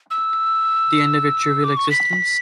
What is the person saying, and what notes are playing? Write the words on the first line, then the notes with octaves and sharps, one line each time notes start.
The end of your trivial existence?
E6
D6
C#6
B6